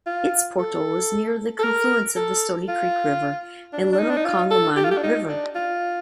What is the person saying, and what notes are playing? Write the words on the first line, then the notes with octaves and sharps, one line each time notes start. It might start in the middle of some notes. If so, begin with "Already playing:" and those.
Its portal was near the confluence of the Stonycreek River and Little Conemaugh River.
F4
A4
A4
A#4
A4
F4
D4
D4
D#4
D4
D#4
F4
A4
G4
F4
G4
D4
D#4
D4
F4